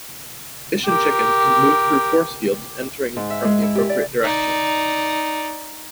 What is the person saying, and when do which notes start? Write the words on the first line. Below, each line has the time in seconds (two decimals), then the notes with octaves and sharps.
Fish and chickens can move through force fields if entering from the appropriate direction.
0.85 G4 A#4
3.16 G#2
3.30 E5
3.44 G#3
3.63 E4
3.75 G4
3.89 D5
4.24 D#4 D5